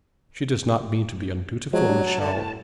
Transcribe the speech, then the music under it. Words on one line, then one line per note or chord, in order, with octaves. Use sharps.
'She does not mean to be undutiful, Michel.'
F3 F#3 G#3
G3 D4
A5
D3
A2